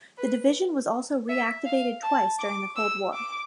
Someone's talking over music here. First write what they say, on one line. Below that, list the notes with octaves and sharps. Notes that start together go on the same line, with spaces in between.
The division was also reactivated twice during the Cold War.
B4
E5
F5
A5
D6
E6
D6